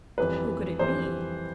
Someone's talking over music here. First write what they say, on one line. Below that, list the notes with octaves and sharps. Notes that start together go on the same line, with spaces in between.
Who could it be!
F2 E3 G3 B4
F2 E3 G3 C5